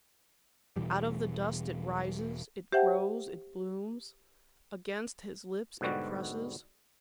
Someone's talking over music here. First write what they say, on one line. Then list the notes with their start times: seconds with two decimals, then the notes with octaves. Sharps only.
Out of the dust it rises, it grows, it blooms. Against his lips it presses.
0.76 E1 B2 E3 G3
2.73 G4 C5 E5 F#5 G5 A5
5.81 G#2 B2 D3 G3 F#4